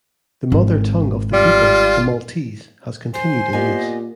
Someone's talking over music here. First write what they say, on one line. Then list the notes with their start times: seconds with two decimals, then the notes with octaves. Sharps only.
The mother-tongue of the people, the Maltese, has continued in use.
0.52 G#1
1.33 G3 F4
3.14 C5 G#5
3.53 A#2 B3 G4 D#5 G#5